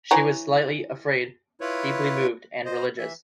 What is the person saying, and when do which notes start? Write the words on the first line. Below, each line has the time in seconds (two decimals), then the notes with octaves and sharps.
She was slightly afraid — deeply moved and religious.
0.11 E3 C#5 A#5
1.61 E4 F4 B4 C#5
2.65 C5 D#5
2.98 E3 E5